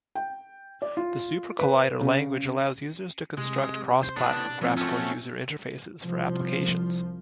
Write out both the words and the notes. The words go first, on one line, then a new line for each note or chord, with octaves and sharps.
The SuperCollider language allows users to construct cross-platform graphical user interfaces for applications.
G5
D5
F4
B4
C#3
C3 G#3
C5
A2 B3 D4
A2 F3 C4
A3 C#4 F#4
C2 F3